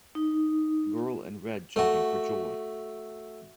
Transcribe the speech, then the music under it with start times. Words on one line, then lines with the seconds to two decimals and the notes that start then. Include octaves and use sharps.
Girl in red jumping for joy.
0.15 D#4
1.76 A3 F#4